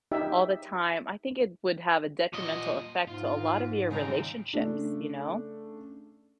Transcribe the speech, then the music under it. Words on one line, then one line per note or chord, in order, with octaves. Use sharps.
all the time, I think it would have a detrimental effect to a lot of your relationships, you know,
D#4 G4 E5
A#2 D#5
G#2 F4
D#2 C#3 C4 D#4 A#5
C#3 A3 D4